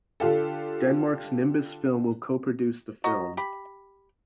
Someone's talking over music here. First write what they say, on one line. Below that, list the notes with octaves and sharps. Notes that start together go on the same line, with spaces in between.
Denmark's Nimbus Film will co-produce the film.
D3 F4 G4 A4
F#4 D#5 A#5
G4 B5